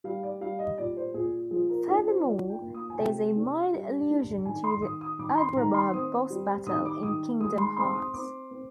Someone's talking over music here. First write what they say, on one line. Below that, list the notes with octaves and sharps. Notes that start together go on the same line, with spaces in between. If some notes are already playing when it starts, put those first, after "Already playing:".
Furthermore, there is a mild allusion to the Agrabah boss battle in "Kingdom Hearts".
G3 F5
D5
G3 F5
D#5
A#2 D5
C5
A#2 G#4
F3 G#4
A#4
D4 G#4
C5
F3 D5
G5
A#3
D#6
G#5
C3 G5
D4
G3
D4
D#3 G#5
C6
D#3 D#6
D#6
D#3 D6
C6
D#3 A#5
C6
C4 D#6
G3
D#3 D#6
D6
D#3 D#6
G#3 D#6
C6
C4 C6
D#6
C4 D6
C4